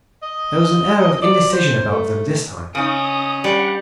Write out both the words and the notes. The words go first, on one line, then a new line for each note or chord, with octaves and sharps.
There was an air of indecision about them this time.
D#5
D5
C5
A3
C#3 C#4 D#4 D#6
G3 F#5